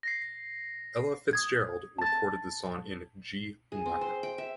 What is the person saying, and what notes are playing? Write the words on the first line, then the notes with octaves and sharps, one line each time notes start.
Ella Fitzgerald recorded the song in G Minor.
A#6 C7
D#6 G#6
A5 A6
G#4
C4
C5
G5
E5